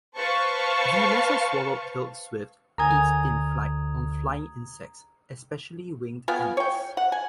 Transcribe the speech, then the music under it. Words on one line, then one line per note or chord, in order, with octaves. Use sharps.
The lesser swallow-tailed swift feeds in flight on flying insects, especially winged ants.
B4 C5 F5 A5 C#6
D2 A#4 G#5 A#5 D#6 G#6
B3 F4 G5 G#5
C#5 G5
F#5
G#5